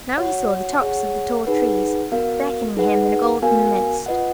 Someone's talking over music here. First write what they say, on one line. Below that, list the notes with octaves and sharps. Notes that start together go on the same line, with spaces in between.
Now he saw the tops of the tall trees beckoning him in a golden mist.
F#4 C#5 F#5
G#4 C#5 F#5
D#4 G#4 B4 F#5
B3 F#4 A#4 F5
D#4 G#4 B4 F#5
B3 F#4 A#4 F5 G#5
F4 B4 D#5 F#5